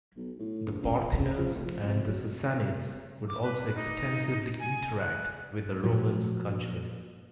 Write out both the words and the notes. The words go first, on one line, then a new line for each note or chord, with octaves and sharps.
The Parthians and the Sassanids would also extensively interact with the Romans culturally.
B1
A2
A#1
C#2
F3
C#3
F3
F1
F3
C3
F#3
D6
B4
D#4
G#5
F#6
A#2 F3 F#3